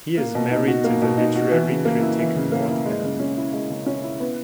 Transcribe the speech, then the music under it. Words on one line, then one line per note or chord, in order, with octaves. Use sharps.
He is married to the literary critic Maud Ellmann.
A#3
B2
D#4
F#4
A#3
B2
D#4
F#4
E3
C#3
A#3
E4
E3
C#3
A#3
E4
G#3
C#3
C#4
E4
G#3
C#3
C#4
E4
B3